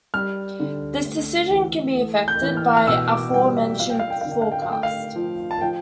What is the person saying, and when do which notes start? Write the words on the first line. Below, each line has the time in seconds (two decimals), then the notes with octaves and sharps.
This decision can be affected by aforementioned forecast.
0.14 G3 F6
0.60 D3
1.06 A3
1.51 E3
1.97 A3
2.28 G6
2.42 E3
2.57 F6
2.77 F6
2.87 B2 E6
3.11 D6
3.34 G3 G5
3.57 E5
3.79 F3 F5
3.89 G5
3.99 F5
4.10 G5
4.21 D3 F5
4.31 G5
4.42 F5
4.52 G5
4.62 F5
4.70 A3 G5
4.83 F5
5.16 F3
5.51 A5
5.61 F3 G5